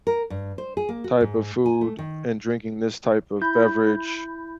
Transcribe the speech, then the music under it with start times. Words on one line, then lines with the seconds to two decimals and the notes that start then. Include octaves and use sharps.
type of food and drinking this type of beverage
0.07 A#4
0.30 G2
0.58 C5
0.77 G#4
0.89 A#3
1.04 F#4
1.21 G#2
1.66 G#5
1.81 A3
1.99 D#3
3.41 E4 B5 G6